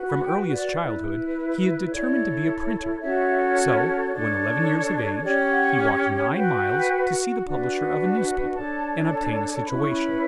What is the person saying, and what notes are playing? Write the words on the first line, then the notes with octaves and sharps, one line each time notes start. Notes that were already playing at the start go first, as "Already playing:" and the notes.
From earliest childhood he had determined to be a printer; so, when eleven years of age, he walked nine miles to see the publisher of a newspaper, and obtain a situation.
Already playing: F#4 B4
B5
G5
D5
E4 B4
E4 A4 C#5 D5
C#4 F#4 A4 C#5 E5
D4 A4 C#5
C#4 G4 C#5 D5
F#5
F#4 B4 G5
D4 F#4 B4
D4 A4 C#5 A5
C#4 E4 B4 B5
C#6
B5